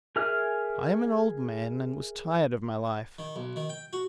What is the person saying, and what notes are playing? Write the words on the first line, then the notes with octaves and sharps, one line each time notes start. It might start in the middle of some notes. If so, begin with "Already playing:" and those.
I am an old man, and was tired of my life.
G#4 A#4 E5 F6
D#3
B1
D#3
G5
F#4